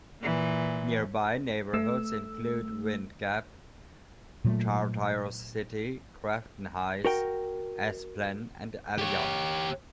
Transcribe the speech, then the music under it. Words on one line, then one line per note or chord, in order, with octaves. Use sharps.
Nearby neighborhoods include Windgap, Chartiers City, Crafton Heights, Esplen, and Elliott.
A#2 E3
A3 E6
A#2 F#3 A3
F#4 A#4 G5
G4 C#5